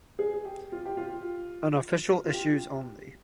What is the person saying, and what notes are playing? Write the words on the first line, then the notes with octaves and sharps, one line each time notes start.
Unofficial issues only.
G#4
G4
F4
G4
F4
F4
G4